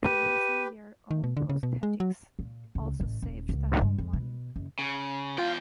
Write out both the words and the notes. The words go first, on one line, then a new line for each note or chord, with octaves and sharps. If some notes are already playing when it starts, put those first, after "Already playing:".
Producing their own prosthetics also saved the home money.
G4 B4 D#7
D#3
B2
D3
C#3
B2
G#3
F#3
A#2
C#2
A1
D#1
C#2
G2
F2
B2
F#1
C#3
E2 F4 G5